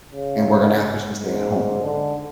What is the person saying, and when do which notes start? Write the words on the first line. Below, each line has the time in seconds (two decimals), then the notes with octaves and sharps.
and we're gonna have Christmas Day at home.
0.12 C#3
1.16 G#2
1.82 D3